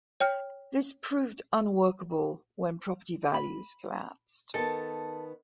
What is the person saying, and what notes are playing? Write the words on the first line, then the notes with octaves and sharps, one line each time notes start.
This proved unworkable when property values collapsed.
C#5 G5 F6
B5
D#3 B3 A4 A5